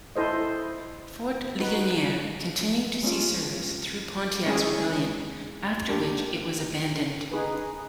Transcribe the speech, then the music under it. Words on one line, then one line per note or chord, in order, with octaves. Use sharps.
Fort Ligonier continued to see service through Pontiac's Rebellion, after which it was abandoned.
E4 A4 C5 D#5
D#4 F#4 B4
G#3 C#4 F4
G#3 C#4 E4 G#4
A#3 D4 G4
D#4 G#4 B4